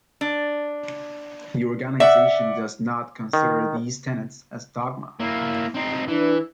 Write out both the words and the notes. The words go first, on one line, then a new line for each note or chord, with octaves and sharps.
The organisation does not consider these tenets as dogma.
D4
D5 E5 F#5
D#3
A#3 E4
C4 D#4
E3 D4 B4